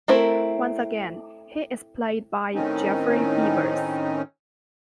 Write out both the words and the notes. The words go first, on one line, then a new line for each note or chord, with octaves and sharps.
Once again, he is played by Geoffrey Beevers.
A3 C4 E4 A#4 C5
A2 D#3 C4 C#4 D#4